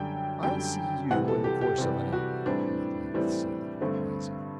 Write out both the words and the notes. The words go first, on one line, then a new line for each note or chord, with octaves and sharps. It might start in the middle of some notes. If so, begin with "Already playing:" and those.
"I'll see you in the course of an hour," he at length said, rising.
Already playing: F#2 D3 G3 G5
F#2 D3 G3 G5
C3 E3 G3 F#5
A4
G4
G4
C3 E3 G3
F#4
A2 E3 G3 C4 D4
A2 E3 G3 C4
G2 D3 A3 C4